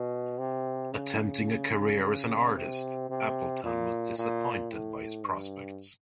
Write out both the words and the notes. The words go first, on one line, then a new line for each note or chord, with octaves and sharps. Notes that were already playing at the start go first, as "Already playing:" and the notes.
Attempting a career as an artist, Appleton was disappointed by his prospects.
Already playing: B2
C3
C#3
C3
C3
A#2
A#2
A2
G2